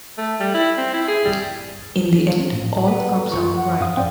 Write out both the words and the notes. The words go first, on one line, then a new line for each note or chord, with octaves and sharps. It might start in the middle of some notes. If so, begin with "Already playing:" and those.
In the end, all comes out right.
A3
G3
E4
C4
E4
G#4
G3
A2
A4 B4 F#5
F#2 F3 F4 C#6
F#5
F2 F5 D#6
G#2 C4 D5 G5